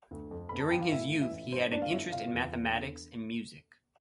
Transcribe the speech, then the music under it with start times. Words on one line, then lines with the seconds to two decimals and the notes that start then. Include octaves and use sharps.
During his youth, he had an interest in mathematics and music.
0.11 D2
0.31 F2
0.49 G1 B5
0.60 A5
0.71 G1 G5
0.81 F5
0.91 A2 E4 E5
1.12 A1
1.21 E4 E5
1.31 A1
1.52 G2 C5
1.71 G1 D4 D5
1.82 F5
1.92 G1 E4 E5
2.12 C3 F4 F5
2.33 E2
2.52 E2
2.72 D3